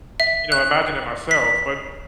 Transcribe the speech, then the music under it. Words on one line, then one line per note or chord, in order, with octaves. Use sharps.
you know, imagine it myself, but
E5
F#6
B6